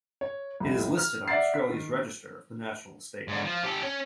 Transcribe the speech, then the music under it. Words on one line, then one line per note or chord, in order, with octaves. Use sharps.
It is listed on Australia's Register of the National Estate.
C#5
C2 F2
F6
D5 E5 F#5 A6 C7
B6
D#3
G#2 D3
F3
G4 A4
C#4